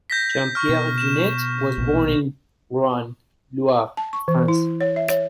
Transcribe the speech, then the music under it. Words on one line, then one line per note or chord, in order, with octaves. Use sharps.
Jean-Pierre Jeunet was born in Roanne, Loire, France.
G6 A#6 B6
C#6 F6
B2
E7
A#1 B2
A5
C#6
E3
E4
C#5
E5
C#5